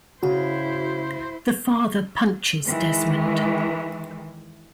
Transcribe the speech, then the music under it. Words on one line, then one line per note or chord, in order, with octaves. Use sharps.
The father punches Desmond.
C#3 E4 F#4 C5
D#3 E3 G#3